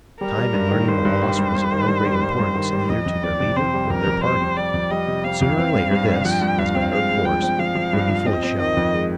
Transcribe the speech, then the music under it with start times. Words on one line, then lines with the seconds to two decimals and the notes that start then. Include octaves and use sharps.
Time in learning the loss was of no great importance either to their leader or their party. Sooner or later this, as a matter of course, would be fully shown.
0.21 G3 A#4
0.38 G3
0.54 G2
0.71 D#3
0.88 G2 C5
1.05 G2
1.22 G3
1.39 G2
1.55 G2
1.72 D#3
1.88 G2
2.05 G3
2.22 G2
2.39 G2
2.55 D#3
2.72 G3
2.89 F2 D#5
3.06 F2
3.22 C4 D5
3.40 C3
3.56 C4 C5
3.73 G3
3.90 F2 A#4
4.06 F2
4.23 G3 C5
4.41 C4
4.57 G3 D5
4.74 F2
4.91 G3 D#5
5.07 C3
5.24 C4 F5
5.41 F2
5.58 C4
5.74 G2
5.91 G2
6.08 G2
6.25 F3 G5
6.41 G2
6.58 G2 F5
6.75 C4
6.92 G#3 F5
7.09 G#3
7.25 F3 G5
7.42 C4
7.59 F3 F5
7.75 F3
7.93 G2
8.09 F3
8.26 C4 D#5
8.43 C4
8.59 D#3 D#5
8.77 F2
8.94 G#3